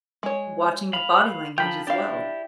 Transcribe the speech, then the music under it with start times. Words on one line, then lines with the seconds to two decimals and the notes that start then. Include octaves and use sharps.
watching the body language as well.
0.23 G#3 C#5
0.93 F5 B5
1.58 F3 F#3 F4 G5 B5
1.87 D4 E4 G4 D5 F5